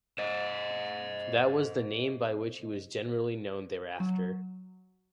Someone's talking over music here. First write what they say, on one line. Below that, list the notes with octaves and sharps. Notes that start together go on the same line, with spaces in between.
That was the name by which he was generally known thereafter.
C5 D#5
F#3